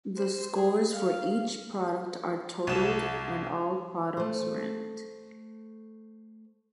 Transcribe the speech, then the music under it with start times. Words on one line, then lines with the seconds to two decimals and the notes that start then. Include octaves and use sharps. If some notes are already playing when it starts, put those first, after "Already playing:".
The scores for each product are totalled and all products ranked.
0.18 C5
0.54 G#4
0.93 F5
2.67 C2 A4 E7
4.17 A3 C5